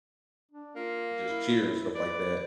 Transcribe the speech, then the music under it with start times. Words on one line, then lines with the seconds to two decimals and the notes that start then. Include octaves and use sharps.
just cheer and stuff like that,
0.51 D4
0.76 A#3 F4
1.26 E4
1.95 B4 D5